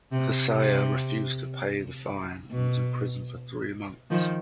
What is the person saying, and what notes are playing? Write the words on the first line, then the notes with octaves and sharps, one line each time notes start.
Hsieh refused to pay the fine and was imprisoned for three months.
C3
C3
B2
D#3 F3